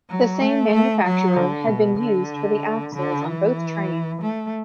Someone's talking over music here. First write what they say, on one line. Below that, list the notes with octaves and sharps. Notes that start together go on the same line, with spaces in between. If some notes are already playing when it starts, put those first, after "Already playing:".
The same manufacturer had been used for the axles on both trains.
F#3
A3
A3
F#3
D3
B2
D3
D3
E3
A3